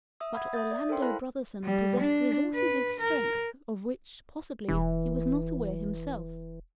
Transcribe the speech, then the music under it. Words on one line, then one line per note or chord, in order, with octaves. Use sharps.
But Orlando Brotherson possessed resources of strength of which, possibly, he was not aware himself.
E5 D#6 E6
F#5 B5 D#6 G#6
E5 D#6 G6 A6
D5
A4 A#4 C5 G5 C6
E4 F5 A5 B5 F#6
G3
D4
B4
A#4
E1 E3